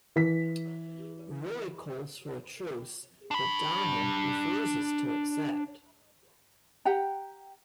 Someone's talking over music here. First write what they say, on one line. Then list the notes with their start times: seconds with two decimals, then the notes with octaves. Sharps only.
Roy calls for a truce, but Dana refuses to accept.
0.16 E3 B6
3.31 D4 B5
6.85 G4 F#5 G5 A#5